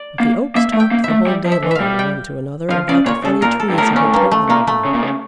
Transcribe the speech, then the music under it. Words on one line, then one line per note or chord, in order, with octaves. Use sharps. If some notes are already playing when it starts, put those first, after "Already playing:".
But the Oaks talked the whole day long one to another about the funny Trees he had told them about.
Already playing: D5
A#3
A#3 E5
A3
G5
A#3
E5
A3
G3
F3
E5
E3
E5 F5
G3
G5
F3 F5
C#3 D5
A#2 C#5
C#3 A4
A#2 A#4
A4
G2
A2 A#4
A#2 C#4
A2
G2 A#3
A3
A#2 A#3
A3
C#3
A#2
C#3